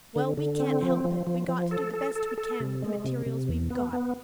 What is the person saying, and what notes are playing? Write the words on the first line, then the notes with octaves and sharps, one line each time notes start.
Well, we can't help it; we got to do the best we can with the materials we've got.
D3
D3
C4
F3
F3
F3
F3
A4
A4
A4
A4
C3
G#3
C3
C3
E2
B3
B3